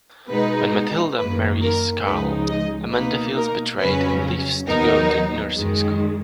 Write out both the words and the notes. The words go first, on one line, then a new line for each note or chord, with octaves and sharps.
When Mathilda marries Carl, Amanda feels betrayed and leaves to go to nursing school.
B2 G#3 B3 D#4 B4
F#2 D#3 A#3 B4
A#4
C#2 C#3 F3 G#3 D#4 B4
D#5
B2 A#3 D#4 B4
A#4
F2 C#3 F#3 C#4 B4
D#2 D#3 F#3 B3 D#4 A#4
F#2 D#3 G#3